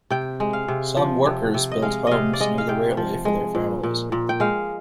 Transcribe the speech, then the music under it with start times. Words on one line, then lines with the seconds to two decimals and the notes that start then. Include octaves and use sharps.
Some workers built homes near the railway for their families.
0.10 C3 G5
0.40 G#3
0.53 F5
0.68 C3
0.97 F3
1.26 C3
1.54 C3
1.72 D#5
1.82 G#3 F5
2.07 C3 D#5 F5
2.33 D5
2.41 G#3 D#5
2.58 F5
2.68 C3 G5
2.97 F3
3.25 G#3
3.55 A#2
3.83 A#2
4.12 A#2
4.29 G5
4.40 G#3 F5